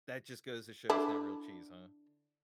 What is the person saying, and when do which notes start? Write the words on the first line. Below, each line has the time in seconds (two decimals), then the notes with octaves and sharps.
That just goes to show it's not real cheese, huh.
0.90 D3 D4 E4